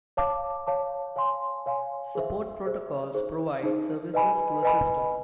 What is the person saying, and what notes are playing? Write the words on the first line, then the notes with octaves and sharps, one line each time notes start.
Support protocols provide services to a system.
C#5 F5 A5 D6
C#5 F5 A5 D6
C#5 F5 G#5 C6
C#5 F5 G#5 C6
G#4 C5 E5
G#4 C5 E5
D#4 G#4 C5
D#4 G#4 C5
B4 D#5 G#5 B5
B4 D#5 G#5 B5